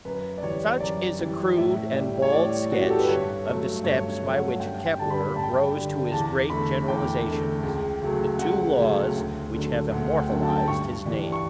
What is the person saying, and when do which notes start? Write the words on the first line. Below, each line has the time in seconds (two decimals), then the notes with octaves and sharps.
Such is a crude and bald sketch of the steps by which Kepler rose to his great generalizations--the two laws which have immortalized his name.
0.05 F#2 B4
0.38 D5
0.43 E3 G3 C#5
0.80 F#2 D5
1.19 E3 G3
1.56 A2 E5
1.94 G3
2.22 C#5
2.32 A2 D5
2.71 G3 F#4
2.81 G4
2.90 A4
2.99 B4
3.08 G2 C#5
3.47 F#3 A3
3.84 G2 C#5
4.10 C#5
4.22 F#3 A3
4.35 F#5
4.60 G2 G5
4.86 G5
4.98 D3 G3 A5
5.10 B5
5.36 G2 A5
5.43 G5
5.51 A5
5.74 D3 G3
6.12 E2 A5
6.50 D3 A3 B5
6.88 E2 G5
7.26 D3 A3
7.63 C#2
8.02 C#3 F#3 A3
8.39 C#2 F#5
8.78 C#3 F#3 A3
9.16 D2
9.53 D3 F#3 A3
9.92 D2 F#5
10.05 F#5
10.17 G5
10.29 D3 F#3 A3
10.43 A5
10.50 G5
10.56 A5
10.68 G2 C#6
11.06 E3 G3
11.32 C#6